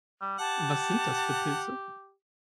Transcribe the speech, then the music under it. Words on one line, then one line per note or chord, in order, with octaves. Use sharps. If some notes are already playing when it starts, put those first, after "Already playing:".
Was sind das für Pilze?
G3
G4 F#5 A5